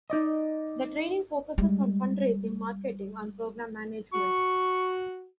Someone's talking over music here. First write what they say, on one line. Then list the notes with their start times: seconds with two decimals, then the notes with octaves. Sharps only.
The training focuses on fundraising, marketing, and program management.
0.10 D#4 D5 D#5
1.58 G3 G#3
4.14 F#4 C#6